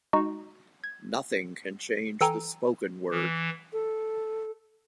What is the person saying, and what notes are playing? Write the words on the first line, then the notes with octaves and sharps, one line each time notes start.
Nothing can change the spoken word.
G#3 D#4 F#4
G#6
E3 A4 G5 G#5 A#5
E3
A4